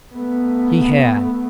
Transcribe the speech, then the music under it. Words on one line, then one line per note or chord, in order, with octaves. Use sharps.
He had.
A3 B3